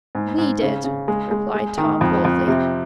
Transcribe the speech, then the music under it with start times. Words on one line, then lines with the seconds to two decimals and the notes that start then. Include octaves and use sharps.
"We did," replied Tom boldly.
0.15 G#2
0.38 G#2
0.62 C#3
0.84 C#3
1.08 G#3
1.31 G#3
1.54 G#3
1.78 D#3
2.01 F2
2.25 F2
2.48 C3